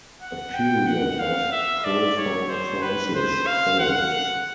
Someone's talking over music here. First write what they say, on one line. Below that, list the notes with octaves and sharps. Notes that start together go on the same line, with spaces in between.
A period of profound crisis followed.
F#5
G5
F#5
F5
E5
D5
C#5
C5
B4
C5
F5
F#5